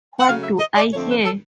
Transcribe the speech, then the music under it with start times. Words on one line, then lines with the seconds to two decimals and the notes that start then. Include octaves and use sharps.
What do I hear?
0.20 F#5
0.28 C#3 F#3 A3 F5
0.44 E5
0.59 D#5
0.76 D5
0.92 F2 D3 F3 A3 C4 C#5
1.09 B4
1.25 A4